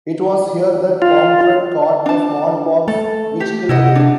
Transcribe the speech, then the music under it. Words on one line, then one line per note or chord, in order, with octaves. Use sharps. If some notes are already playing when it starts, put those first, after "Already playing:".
It was here that Pomfret caught the smallpox which killed him.
F4
D4 A5
A3 A4
G4
C3 E4 D#5 F#5
D4